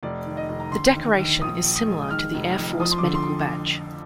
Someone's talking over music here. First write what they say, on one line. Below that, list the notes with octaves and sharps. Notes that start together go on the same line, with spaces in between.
The decoration is similar to the Air Force Medical Badge.
F1 D5
D#3
D#5
F1
A#5
D3 C6
D#2
D#2
A#1 D#6
A#1
D#6
G#3
D#6
D#3 F6
F1
F2
F3 D#6
C6
D6
D3
C6